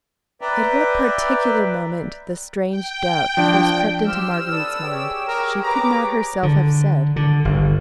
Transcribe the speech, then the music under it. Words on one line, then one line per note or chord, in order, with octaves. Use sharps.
At what particular moment the strange doubt first crept into Marguerite's mind, she could not herself have said.
B4 D5 E5 G5 A#5
G5
F3 D4
G4 C5 G5 E6 F6
A4 B4 D5 D#6
G4 G#4 C#5 G5
A#4
B4 A#5 D6
D3
D3
G1